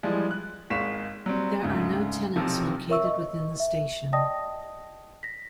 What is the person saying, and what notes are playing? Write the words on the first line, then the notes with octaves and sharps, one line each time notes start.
There are no tenants located within the station.
E3 F3 G3 G#3
F#6
G#1 G#3 F5 C#6 B6 E7
F#3 G3 C4
D2 G#2 C#3
B1 C3 D#3 F3
A#4 C#5 E5 C#6 E6
D#5 C#6
E5
D5 D#5 G5 A5 D#6 A#6
A#6 B6